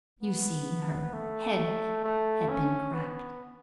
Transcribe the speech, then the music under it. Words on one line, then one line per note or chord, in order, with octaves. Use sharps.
You see, her head had been cracked.
B3
A3
A3
C#4
B3